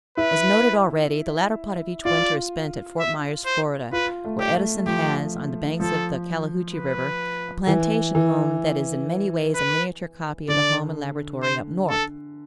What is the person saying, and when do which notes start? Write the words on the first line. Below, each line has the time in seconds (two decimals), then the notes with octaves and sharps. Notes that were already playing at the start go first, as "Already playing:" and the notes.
As noted already, the latter part of each winter is spent at Fort Myers, Florida, where Edison has, on the banks of the Calahoutchie River, a plantation home that is in many ways a miniature copy of the home and laboratory up North.
0.17 E4 B4
2.05 F4 D5
2.99 E5
3.45 C5
3.92 F4 B4
4.25 A3
4.39 G4
4.55 A3
4.87 F3 G4
5.80 F3 A4
6.74 B4
7.67 E3
8.15 E3
9.55 B4
10.48 D3 D5
11.42 C5
11.89 A4